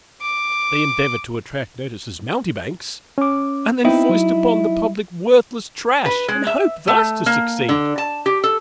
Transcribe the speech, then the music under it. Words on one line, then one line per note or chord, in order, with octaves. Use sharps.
They endeavor to attract notice as mountebanks, and then foist upon the public worthless trash, and hope thus to succeed.
D6
C#4 D6
B3 C4 D#4 E4 G5
F#3
B4
G#3
E5
A3
A#3
D3
A5
G4
A4